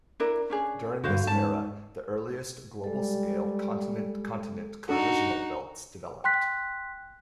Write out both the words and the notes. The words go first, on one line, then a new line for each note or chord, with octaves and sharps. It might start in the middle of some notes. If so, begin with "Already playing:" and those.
During this era the earliest global-scale continent-continent collisional belts developed.
D4 E4 A#4
C#4 D4 G#4
G2 D3 F#4 C5 F5
G#2 C#4 A5
G3 G#3 A4
D4 D#4 F#4 A4
G5 C6 F#6 B6